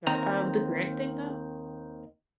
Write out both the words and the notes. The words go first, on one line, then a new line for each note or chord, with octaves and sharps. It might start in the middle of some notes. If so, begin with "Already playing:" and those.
God, uh, with the Grant thing though,
D#2 D#3 C4 A#5